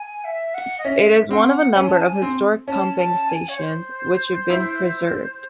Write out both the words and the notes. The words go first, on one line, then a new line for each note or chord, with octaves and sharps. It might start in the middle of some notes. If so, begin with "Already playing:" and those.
It is one of a number of historic pumping stations which have been preserved.
Already playing: G#5
E5
F#5
D#5
C#4 E5
C4 F#5
C#4 G#5
A5
G#5
C4
C#4 A5
A5
G#5
C#5
C5
E4